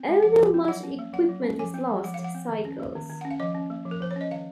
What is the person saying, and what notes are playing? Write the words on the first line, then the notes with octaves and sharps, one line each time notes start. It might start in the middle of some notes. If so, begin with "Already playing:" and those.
Although much equipment was lost, cycles.
Already playing: C4
G#3
F3 F#5
F3
C4
F#3 F#5
C#4
A#3
F#3 F#5
F#3
C#4
F3 G#5
C4
G#3
F3 F#5
F5
F3
F#5
C4
D#3
C#4
A#3
D#3
D#3
C#4 F#5
F5
F3 D#5
C#4
A#3
F3
A#4
F3 C5
C#5
C#4 D#5
D#3 F5